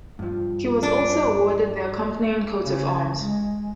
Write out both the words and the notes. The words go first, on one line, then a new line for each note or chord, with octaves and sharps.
He was also awarded the accompanying coat of arms.
G2 F3
D4
C#3
G#3